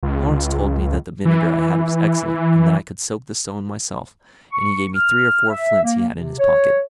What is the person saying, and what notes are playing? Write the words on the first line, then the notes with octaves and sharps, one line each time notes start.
Lawrence told me that the vinegar I had was excellent, and that I could soak the stone myself, and he gave me three or four flints he had in his pocket.
C#2
E3
C#6
F6
E5
A#3
C3
C#5